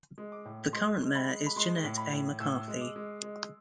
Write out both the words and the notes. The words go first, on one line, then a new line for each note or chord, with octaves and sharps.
The current mayor is Jeanette A. McCarthy.
G#3
D6
A2
G#3 C6
G#3
B5
G#3
B5
G#3 C6
A2
B5
A2
A2 E6
G#3
D6
G#3
G#3